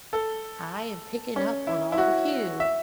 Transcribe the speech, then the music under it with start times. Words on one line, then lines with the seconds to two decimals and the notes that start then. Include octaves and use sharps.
I am picking up on all the cue.
0.13 A4
1.36 C#4
1.67 E4
1.92 E4
1.98 F#4
2.60 E5